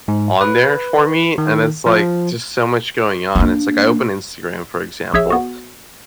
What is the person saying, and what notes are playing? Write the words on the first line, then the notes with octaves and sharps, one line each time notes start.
on there for me and it's like just so much going on and it's like I open Instagram for example,
G#2
B4
D#3
F3
A#3 D4
A#1 G#4 C#5 E5 E6
B3 F#4